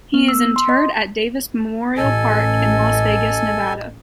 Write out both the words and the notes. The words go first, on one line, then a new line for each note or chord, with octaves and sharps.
He is interred at Davis Memorial Park in Las Vegas, Nevada.
B3
E6
C6
D#5
A1 A4 D#5 G#5